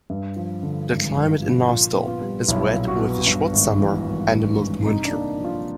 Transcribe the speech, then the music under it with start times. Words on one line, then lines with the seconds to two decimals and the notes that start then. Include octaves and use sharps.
The climate in Naustdal is wet with a short summer and a mild winter.
0.10 G2
0.36 F3
0.63 D3
0.89 G#1
1.17 G2
1.42 F3
1.69 A#2 F4
1.95 B3
2.08 F4
2.21 G3
2.48 B1 E4
2.74 A#2
2.87 F#4
3.00 B3
3.27 G2
3.53 G#1
3.80 E3
4.06 G#1
4.32 G2
4.59 G#1
4.85 C3 D#4
5.05 D4
5.11 A#3
5.38 F3
5.44 F4